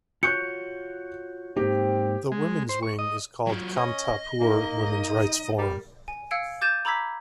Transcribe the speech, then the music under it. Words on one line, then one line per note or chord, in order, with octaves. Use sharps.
The women's wing is called Kamtapur Women's Rights Forum.
F4 F#4 C#5 C#6 F#6 G6 C#7
G#2 A#3 C4 D#4 G4
G#3
C5
C#6
D#5
F#3 F4
C#4 D#5
A#3 D#4
G3 A#4
G#5
F5 E6 G#6 C#7 D7
D6 G6 A6 D#7 E7
A#5 B5 D6 E6 G#6 B6